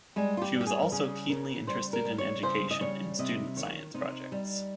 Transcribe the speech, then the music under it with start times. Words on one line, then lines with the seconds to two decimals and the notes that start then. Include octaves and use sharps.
She was also keenly interested in education and student science projects.
0.16 G3 G#3
0.37 F4
0.42 G4
0.54 G3
0.61 G4
0.67 G#4
0.82 A#4
0.92 C#3 G#4
1.30 C#3 A#4
1.67 G3 C5
1.93 A#4
2.05 G3
2.18 C#5
2.43 C#3 C5
2.71 D#5
2.81 G3 C#5
3.19 C3 D#5
3.56 D#3 C#5
3.94 C3 D#4
4.32 G3